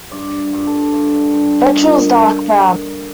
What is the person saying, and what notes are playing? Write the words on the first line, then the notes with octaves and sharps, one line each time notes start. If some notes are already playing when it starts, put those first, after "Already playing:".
Ventrals dark brown.
G2 D5
G2
A4
G2
G2
A#2 D#5